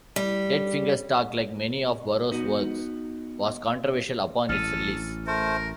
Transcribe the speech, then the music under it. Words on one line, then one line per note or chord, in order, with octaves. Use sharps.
"Dead Fingers Talk", like many of Burroughs' works, was controversial upon its release.
G3
B3 D#4 F#4
A1 A4 F6 D#7
A3 A#4 C5